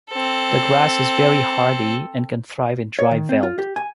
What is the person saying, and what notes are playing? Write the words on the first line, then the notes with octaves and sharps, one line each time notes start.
The grass is very hardy and can thrive in dry veld.
C4 A4
C#5
D#3
C4
F4
G4
G#5